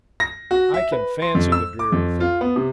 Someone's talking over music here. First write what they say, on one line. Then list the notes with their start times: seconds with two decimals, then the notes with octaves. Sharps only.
"I can fancy the dreary thing!"
0.20 A#6
0.51 F#4
0.74 E5
0.92 B4
1.22 C6
1.35 F2
1.52 E6
1.79 D6
1.92 F2
2.20 F4
2.41 B3
2.56 C3